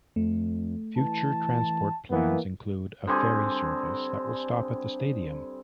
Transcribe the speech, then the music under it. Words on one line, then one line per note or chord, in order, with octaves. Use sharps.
Future transport plans include a ferry service that will stop at the stadium.
F2 A3
E3 A5
E3 A#3 B3
D3 G3 C4 G#4